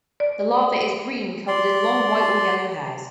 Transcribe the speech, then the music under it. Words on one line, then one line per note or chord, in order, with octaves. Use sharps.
The larva is green, covered in long white or yellow hairs.
D5
D5 C6